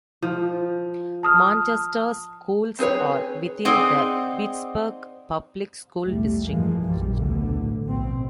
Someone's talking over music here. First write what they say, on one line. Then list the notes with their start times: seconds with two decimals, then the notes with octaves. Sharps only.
Manchester's schools are within the Pittsburgh Public School District.
0.22 F3
1.23 A5 D#6 F6
2.79 C4 G#4 B4 C#5
3.65 C4 D#4 G#4 C5 D5 F#5
6.02 B1 E2 A2 G3 A3
6.46 F#2 E3 F3 G#3 A#3
6.83 A#1 F#2 A#2 G3
7.16 D2 B2 D3
7.53 A2
7.83 A#1 B2 C4